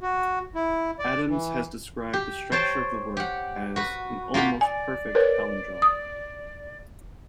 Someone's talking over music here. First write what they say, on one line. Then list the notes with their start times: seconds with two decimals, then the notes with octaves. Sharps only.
Adams has described the structure of the work as an "almost perfect palindrome".
0.01 F#4
0.55 E4
0.99 D5
1.29 E3
2.13 G4
2.52 C5 C#5 G5 A5
3.17 G4 F#5
3.76 F#4 B4
4.34 A#3 F4 G4 F#5 B5
4.61 D5 G#5
5.15 A#4 B4 C#5
5.82 D#6